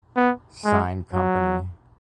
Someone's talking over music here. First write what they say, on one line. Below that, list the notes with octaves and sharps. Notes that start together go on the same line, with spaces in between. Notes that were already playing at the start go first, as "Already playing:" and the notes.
Sign Company.
B3
G#3
F#3